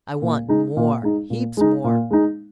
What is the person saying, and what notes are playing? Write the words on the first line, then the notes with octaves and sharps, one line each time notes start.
'I want more,--heaps more.
A#2
G#3 D#4
A#2
G#3 D#4
A#2
G#3 D#4
A#2
G#3 D#4